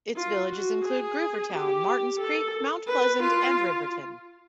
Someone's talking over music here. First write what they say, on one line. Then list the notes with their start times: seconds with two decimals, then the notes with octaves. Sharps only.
Its villages include Gruvertown, Martins Creek, Mount Pleasant, and Riverton.
0.16 F4
0.50 F#4
0.85 G#4
1.53 G4
2.20 A4
2.88 B4
3.23 F4